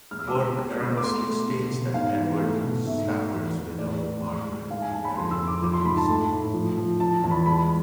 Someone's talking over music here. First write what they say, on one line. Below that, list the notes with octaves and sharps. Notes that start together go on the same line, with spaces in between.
Burke erroneously states that Edward Stafford's widow, Margaret, married Henry Stafford.
G#3 F6
E6
D6
B2 E6
G#3
B2
D6
A3 C6
A3
B2
B2
G#2 F5
E3
A3
B2
G#2 E5
A3
E2
E2
A2 D5
A2
G#3
G#3
G#2 F5
G#5
G#3 A5
B5
F2 C6
E6
F2
D6
F3 D6
C6
G#2 B5
A5
A3
A2
F3
F3
F3 A5
E2 A5
B5
G#3 B5